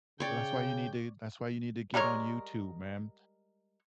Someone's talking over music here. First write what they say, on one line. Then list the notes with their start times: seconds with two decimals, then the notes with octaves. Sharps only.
Well, that's why you need to that's why you need to get on YouTube, man.
0.20 C#3 C#5 D5 G5
1.94 G3 G#3 A#4 C#5